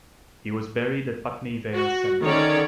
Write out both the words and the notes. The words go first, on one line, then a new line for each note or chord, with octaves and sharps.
He was buried at Putney Vale Cemetery.
F#4
D3 D#3 C#4 C#5 D5